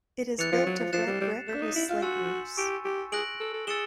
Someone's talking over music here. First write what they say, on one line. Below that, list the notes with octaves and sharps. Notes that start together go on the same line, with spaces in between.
It is built of red brick with slate roofs.
E3 F#6 A6 C#7 F7
F3
F#3
F3
F3 F#6 A6 C7 E7
G3
G3
A3 G6 B6 E7
D4
D#4
E4
F4
F#4 G#5 C6 E6 A6 C#7
G4 G#5 C#6 E6
G4
G#4 F#6 A#6 D7 F#7
A4
A4
G#4 E6 A6 C#7 E7 G7